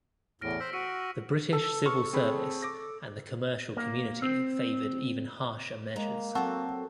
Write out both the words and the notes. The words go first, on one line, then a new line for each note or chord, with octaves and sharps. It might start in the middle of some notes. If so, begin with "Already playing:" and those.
The British civil service and the commercial community favoured even harsher measures.
E2 A2 F6 A#6 D7
C5 E6 B6
F#4 E6 C#7 D#7
A4
C#6 F6
C4 G#4 B5
D6 A#6
A#3
C4
G#3 A#3 A#5
F#3 C4 F#4 A4